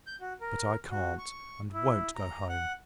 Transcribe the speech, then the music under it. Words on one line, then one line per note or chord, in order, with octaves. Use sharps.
But I can't, and won't, go home.
G6
F#4
A#4
F#4
C#6
E4
A#5
F#5